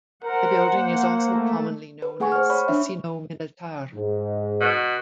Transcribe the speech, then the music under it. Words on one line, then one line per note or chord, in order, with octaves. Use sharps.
The building is also commonly known as "Casino Militar".
A#4 C5 F#5
A#3
A3
B4
A3 G#4 F#5 G#5 C#6
C5 F6
C#5 B5 C#6
D4 E5
G#2
B2